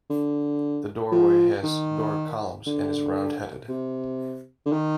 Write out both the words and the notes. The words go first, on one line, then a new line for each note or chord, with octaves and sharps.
The doorway has Doric columns and is round-headed.
D3
F3
D#3
D3
C3
D3
D#3